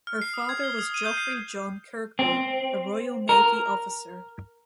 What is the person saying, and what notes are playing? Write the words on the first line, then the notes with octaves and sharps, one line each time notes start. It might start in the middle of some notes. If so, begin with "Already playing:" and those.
Her father was Geoffrey John Kirkby, a Royal Navy Officer.
F6
C7
D#6
G#6
G7
D#6
D#7
G6
C7
C4
A#4